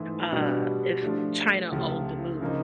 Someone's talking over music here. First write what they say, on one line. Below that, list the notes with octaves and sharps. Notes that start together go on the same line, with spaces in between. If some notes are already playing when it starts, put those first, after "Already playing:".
uh, if China owned the moon,
Already playing: G#2 E3 A3
B2 G3 B3 D4 F#4
F3 A3 D4
C#2 C3 F3 A3
C#3 F3 A#3 D#4